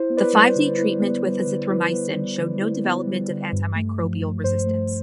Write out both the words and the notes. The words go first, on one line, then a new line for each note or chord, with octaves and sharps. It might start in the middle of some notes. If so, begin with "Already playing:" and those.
The five-day treatment with azithromycin showed no development of antimicrobial resistance.
Already playing: E4 C5
B3
B4 D5
G3
C5
D3
E4
B3
G3
D3
E4 B4
B3
G3
D3
E4
B3
G3
D3
G2
A3
F3
G2
G2 C5
A3